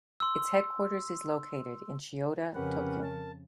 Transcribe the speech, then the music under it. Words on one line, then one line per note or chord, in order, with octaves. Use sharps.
Its headquarters is located in Chiyoda, Tokyo.
C6 E6
F2 C#3 C#4 G4 A#4 B4 F#5
A5